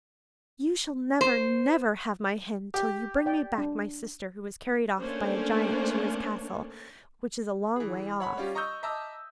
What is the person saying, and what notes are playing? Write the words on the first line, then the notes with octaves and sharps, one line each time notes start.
'You shall never, never, have my hen till you bring me back my sister who was carried off by a giant to his castle, which is a long way off.'
C5
G4
D5 G5
D4
A3 A#3 C#4 D4 C5 C#5
E3 G#4
C#5 F#5 B5
G3 C#4 F4 G4
D#5 A#5 C#6 D#6 E6 G6
D#5 E5 A5 A#5 D6 E6